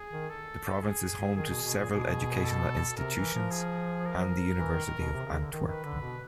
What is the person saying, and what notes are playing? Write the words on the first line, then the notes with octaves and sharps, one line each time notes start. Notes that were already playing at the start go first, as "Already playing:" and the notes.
The province is home to several educational institutions and the University of Antwerp.
Already playing: G#4
D#3
A4
G#4
D#3 G#4
B2
B2
A#2
B2 G#4
A4
C3 A#4
E3
F3
G#4
A#4
E3
D#3
D#3
B2
C3
C#3
D3
D#3
D#3 B4
D3
B2